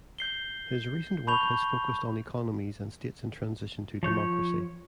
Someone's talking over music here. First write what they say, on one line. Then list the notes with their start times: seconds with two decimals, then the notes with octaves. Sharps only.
His recent work has focused on economies and states in transition to democracy.
0.19 G6 C7 G7
1.27 A5 B5 C#6 G6 F7 G7
4.03 F3 C#5 G6